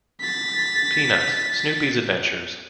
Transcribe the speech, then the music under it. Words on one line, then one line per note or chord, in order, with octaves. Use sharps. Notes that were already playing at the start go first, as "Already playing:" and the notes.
Peanuts: Snoopy's Adventures.
A6 B6